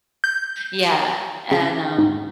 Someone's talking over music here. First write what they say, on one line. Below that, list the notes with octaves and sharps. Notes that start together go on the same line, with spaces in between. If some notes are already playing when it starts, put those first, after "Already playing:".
yeah, and, um
G6
C#3
G#2